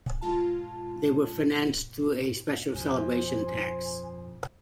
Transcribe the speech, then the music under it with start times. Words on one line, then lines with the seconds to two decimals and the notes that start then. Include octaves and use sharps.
They were financed through a special celebration tax.
0.21 G#3 F4 A5
2.75 F2 C5 G#5